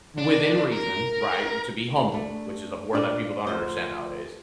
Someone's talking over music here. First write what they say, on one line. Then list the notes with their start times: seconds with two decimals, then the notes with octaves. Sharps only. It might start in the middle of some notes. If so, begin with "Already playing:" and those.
within reason, right, to be humble, which is a word that people don't understand nowadays.
0.18 D4
0.72 A#4
2.12 A3 D4
2.93 A#2 D4 D5
3.47 D2 F3 C5